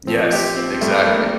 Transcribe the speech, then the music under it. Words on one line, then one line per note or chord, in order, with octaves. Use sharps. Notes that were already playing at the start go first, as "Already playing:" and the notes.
Yes, exactly,
F3 C4
G4
C4
G3 A3
G3 A#3